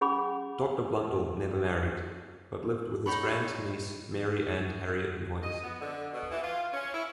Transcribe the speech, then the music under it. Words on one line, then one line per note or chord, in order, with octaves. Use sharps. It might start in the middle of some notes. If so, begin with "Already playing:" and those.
Doctor Blundell never married, but lived with his grand niece Mary Ann Harriet Noyes.
C#4 G#4 F#5 B5 D6
D#4 G#4 C#5 B5
D#5
B3
D3
B2
E3
F4
C#4
E4